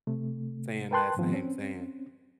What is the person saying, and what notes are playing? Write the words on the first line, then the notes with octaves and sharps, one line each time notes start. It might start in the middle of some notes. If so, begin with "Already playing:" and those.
saying that same saying,
C3 A3
A#4 B4 G5 A5 C6 F#6
G#2 D#3 F3 B3 C4
C4 C#4